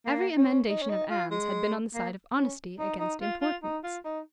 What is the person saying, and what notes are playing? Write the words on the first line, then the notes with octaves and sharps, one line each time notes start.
Every emendation of Anne's had been on the side of honesty against importance.
A#3
C#4
D#4
C#4
D#4
F4
G#3
A#3
C#4
D#4
D#4
F4
F4
D#4
F4
D#4